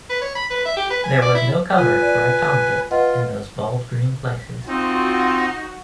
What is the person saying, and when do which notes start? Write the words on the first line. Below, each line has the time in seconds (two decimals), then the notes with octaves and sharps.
There was no cover for a tomtit in those bald green places.
0.10 B4
0.21 C#5
0.35 B5
0.51 B4
0.65 E5
0.77 G4
0.90 B4
1.04 G#5
1.22 D5
1.35 E4
1.77 F4 B4 G#5
2.02 D5
2.91 F4 B4 D#5 F#5
4.68 C4 D#4 F4 F#4